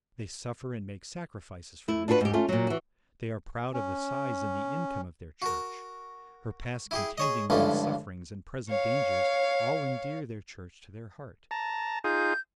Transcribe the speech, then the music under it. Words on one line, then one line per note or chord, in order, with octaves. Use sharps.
They suffer and make sacrifices for their church. They are proud of the size and the income of their church; her past contendings and sufferings, and present dangers, all endear their church to their heart.
A3 E4
D4 F4 F#4 A#4 B4
G#2 G4
A3 C#4 F4
A#2 F#3
E3 F#4
C#4
F#4 A#4
E4 G4 G#4
G#4 C#5 D#5
C#2 G2 D3 E3 F3 A3
C#5 F5
A5 A#5
D#4 F4 G#4 G6